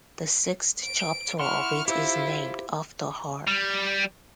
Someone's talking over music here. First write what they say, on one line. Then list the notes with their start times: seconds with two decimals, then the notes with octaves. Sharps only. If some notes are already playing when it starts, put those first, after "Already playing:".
The sixth chapter of it is named after her.
0.84 D7
1.40 E4 F#5 C6 C#6 F6
1.88 E4 F4 G4 C5 E6
3.48 G3